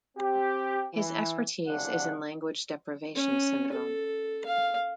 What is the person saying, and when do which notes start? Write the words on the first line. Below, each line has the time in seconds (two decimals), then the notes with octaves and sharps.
His expertise is in language deprivation syndrome.
0.17 C4 G4
0.94 E3
1.67 F#1 C2 D3 D4 F#5
3.16 C#4
3.72 A4
4.46 F5